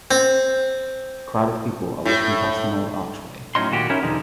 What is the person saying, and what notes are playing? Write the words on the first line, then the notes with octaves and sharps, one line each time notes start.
A crowd of people are walking past an old archway.
C4
A2
A2 F#3 C#4 D#4 C6
A#2 D#3 F#4 G4
C#4 D#4 E4 A#4 C#5
B1 E2 D3 G3 D#4